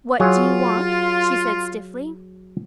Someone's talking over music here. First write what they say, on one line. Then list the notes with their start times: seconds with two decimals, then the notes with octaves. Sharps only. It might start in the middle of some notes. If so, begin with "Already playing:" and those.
"What do you want?" she said stiffly.
0.20 F#3 F4 G#4 C#5